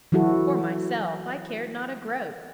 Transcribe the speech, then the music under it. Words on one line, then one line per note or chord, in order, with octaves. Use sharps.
For myself, I cared not a groat.
E3 F#3 E4 F#4 A4